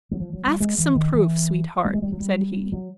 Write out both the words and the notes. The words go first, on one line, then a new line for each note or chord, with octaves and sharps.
'Ask some proof, sweetheart,' said he.
F#3
F3
F#3
G3
G#3
E3
D#3
E3
G3
G#3
G3
F#3
G3
F#3